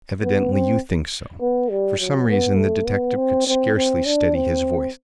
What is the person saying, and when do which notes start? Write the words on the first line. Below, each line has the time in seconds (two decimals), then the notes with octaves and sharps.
"Evidently you think so." For some reason the detective could scarcely steady his voice.
0.22 B3
0.52 C4
1.41 B3
1.70 G3
1.99 F#3
2.29 B3
2.57 A3
2.87 B3
3.17 C4
3.47 C4
3.76 C4
4.05 D4
4.35 C4